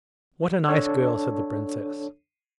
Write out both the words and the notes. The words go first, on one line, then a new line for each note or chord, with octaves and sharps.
"What a nice girl!" said the princess.
D4 A4 C#5